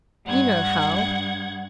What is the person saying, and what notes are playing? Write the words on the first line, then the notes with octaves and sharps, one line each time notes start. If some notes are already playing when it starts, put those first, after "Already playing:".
You know how!'
G2 F#5 G#6